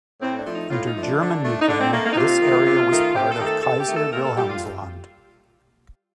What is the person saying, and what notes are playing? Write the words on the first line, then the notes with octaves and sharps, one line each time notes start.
Under German New Guinea this area was part of Kaiser-Wilhelmsland.
A2 C4
D4
F3 A3
D#4
A2 F4
D#4
F3 A3
D4
D3
A3
D#4
D3 D4
C4
A3 A#3
A#3
D#4
C3 F4
D#3 A3
C3
D#3 A3
C3 G4
A4
D#3 A3 G4
A4
C3 A4
G4
D#3 A3
A4
A#2 A#4
A4
G3 G4
F4